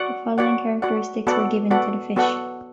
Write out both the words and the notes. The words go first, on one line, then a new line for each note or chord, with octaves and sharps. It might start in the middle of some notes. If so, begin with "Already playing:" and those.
The following characteristics were given to the fish.
Already playing: F#4 D5 F#5
F#4 D5 F#5
F#4 D5 F#5
B3 F#4 A4 D5 F#5
B3 F#4 A4 D5 F#5
B3 F#4 A4 D5 F#5